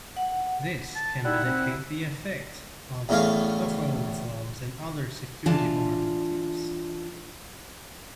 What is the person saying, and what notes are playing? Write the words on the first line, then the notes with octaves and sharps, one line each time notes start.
This can mitigate the effects of buffer overflows and other security vulnerabilities.
F#5
A5
G3 D#4 E4 F#5
C4 E4
E2 A2 C#4 F5
E3 D4 F4 A5